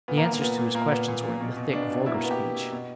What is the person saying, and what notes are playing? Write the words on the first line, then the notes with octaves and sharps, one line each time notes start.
The answers to his questions were in the thick, vulgar speech.
A#2 B3
A#3
A#2 B3
A#3
A#2 B3
A#2
A#2 A#3
A#2 B3
A#2
A#2
B2
B2
B2 D4
B2
B2 E4
A#3
B2 B3
G4
B2
B2
B2